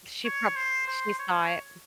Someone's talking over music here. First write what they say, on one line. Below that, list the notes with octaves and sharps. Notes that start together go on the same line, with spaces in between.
She prob She saw it. Mm.
C#5
C5
C5
C#5